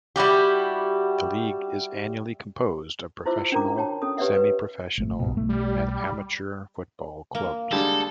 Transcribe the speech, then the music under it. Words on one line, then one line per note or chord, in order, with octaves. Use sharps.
The league is annually composed of professional, semi-professional, and amateur football clubs.
G3 E4 F#4 G4
E4 F4 C5 E5 D6 E6
C#4 D4 A#4 A#5 D6
F#4 C#5 G5 A5
C#4 A4 D#6
G4 B4 C#5 D5 E5 F#5
B4
G#1 A3
B1 G2 B2
B1 A3
G3
A#3
D3 G3 G#3 A4